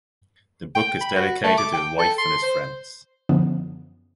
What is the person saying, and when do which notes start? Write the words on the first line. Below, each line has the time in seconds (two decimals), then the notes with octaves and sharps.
The book is dedicated to his wife and his friends.
0.75 G5
1.01 B5
1.16 F#4
1.44 A3
1.58 D6
1.73 G5
1.99 A4
2.18 C6
2.43 C5
3.29 F#2 D3 F3 B3